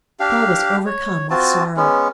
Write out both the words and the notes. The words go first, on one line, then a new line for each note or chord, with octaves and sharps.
Saul was overcome with sorrow.
D4 G4 F5
C#5
C4 F4 F#4 A5
G#3 B3 C#4